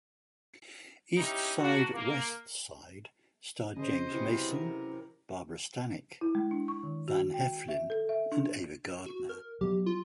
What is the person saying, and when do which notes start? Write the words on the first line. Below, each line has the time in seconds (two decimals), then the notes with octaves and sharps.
"East Side, West Side" starred James Mason, Barbara Stanwyck, Van Heflin, and Ava Gardner.
1.18 D#3 C#4 D#4 E4 G4
1.59 A#3 D4 F#4
1.94 A#3
3.76 C#3 C5 D#5
4.10 C3 E3 F#3
4.51 A#4 E5
6.21 E4
6.35 G#3
6.51 D4
6.68 C#6
6.83 D#3
7.08 F#4
7.34 G5
7.68 E5
7.90 A4
8.09 E5
8.32 D4
9.06 F#4
9.29 A#4
9.61 F#3 B3 G4
9.86 F4